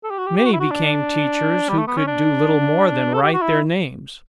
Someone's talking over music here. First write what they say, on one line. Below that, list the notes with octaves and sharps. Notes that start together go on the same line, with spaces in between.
Many became teachers who could do little more than write their names.
A4
G4
F#4
G4
G4
F#4
E4
F#4
D4
G3
A3
B3
C#4
D4
A4
G4
F#4
E4